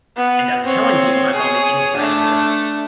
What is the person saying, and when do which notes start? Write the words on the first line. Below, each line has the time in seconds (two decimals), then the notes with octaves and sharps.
And I'm telling you I'm on the inside of this.
0.16 B3
0.64 C4 C#5
1.34 G#4 C#5
1.97 A3 D4